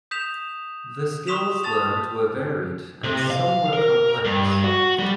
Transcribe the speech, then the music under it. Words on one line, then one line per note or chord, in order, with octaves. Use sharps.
The skills learned were varied, and some were complex.
D#6 G6 B6 E7 F7
C6 C#6 D#6 B6 E7 F7
A5 D#6 A6 F7
C3
F5
A#4
G2
F#4
G3